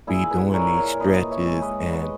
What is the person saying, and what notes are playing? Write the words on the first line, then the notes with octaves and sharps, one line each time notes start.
be doing these stretches and
A#2 E4 G#4
G#4 B4
A#2 A#4 C#5
A#4 C#5
A#2 B4 D#5
C#5 E5
G#3
B4 D#5
B4 D#5